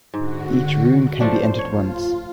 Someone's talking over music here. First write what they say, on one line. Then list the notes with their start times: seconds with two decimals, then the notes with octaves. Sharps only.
Each room can be entered once.
0.14 G#2 D3 F#4
1.20 F3 A3 D4 C5
1.59 F4 C#5